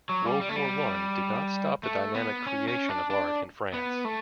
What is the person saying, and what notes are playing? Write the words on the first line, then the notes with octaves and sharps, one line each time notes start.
World War One did not stop the dynamic creation of art in France.
F#3
G3
G3
A3
G3
A3
B3
C#4
C#4
D4
D4
B3
A3